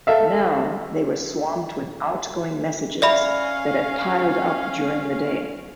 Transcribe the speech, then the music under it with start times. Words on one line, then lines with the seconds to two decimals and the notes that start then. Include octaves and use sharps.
Now they were swamped with outgoing messages that had piled up during the day.
0.07 A4 E5 F5
3.02 C#4 D5 E5 F5 B5